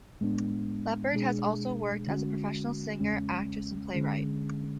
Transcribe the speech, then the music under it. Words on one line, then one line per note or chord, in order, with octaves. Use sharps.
Leppard has also worked as a professional singer, actress, and playwright.
A2 G#3 B3 D4
B2 G#3 D4 G#4
D3 G#3 C#4 F#4
E2 C#3 G#3 C#4
D3 G#3 C#4 G#4